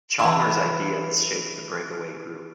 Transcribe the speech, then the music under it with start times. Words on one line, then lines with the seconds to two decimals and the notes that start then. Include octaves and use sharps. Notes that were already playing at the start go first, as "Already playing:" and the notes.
Chalmers' ideas shaped the breakaway group.
0.19 E3 E4